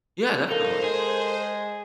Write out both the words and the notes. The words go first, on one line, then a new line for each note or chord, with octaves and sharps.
Yeah, definitely.
D#4 A4 A#4 C5 F5
G#3 G#4